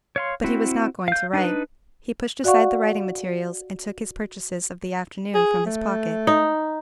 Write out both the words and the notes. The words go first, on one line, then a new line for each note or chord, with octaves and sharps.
But he was not going to write; he pushed aside the writing-materials, and took his purchases of the afternoon from his pocket.
C#5 F5 C6
C4 E4 F#4
F5 G6
D4 D#4 B4
F#4 D5 F5 F#5 C#6
G#4
A3
D#4